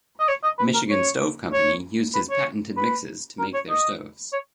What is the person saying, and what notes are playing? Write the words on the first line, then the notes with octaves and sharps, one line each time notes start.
Michigan Stove Company used his patented mixes to make their stoves.
D#5
C#5
D#5
B4
A#4
C#5
C#5
B4
C#5
B4
A#4
C#5
D#5
C#5